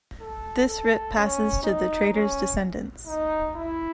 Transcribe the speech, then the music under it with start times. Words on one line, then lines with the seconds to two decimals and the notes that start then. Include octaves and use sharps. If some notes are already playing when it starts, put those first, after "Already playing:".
This writ passes to the Trader's descendants.
0.21 A4
0.68 A4
1.16 C#4
1.63 D#4
2.11 C#4
3.07 D#4
3.55 E4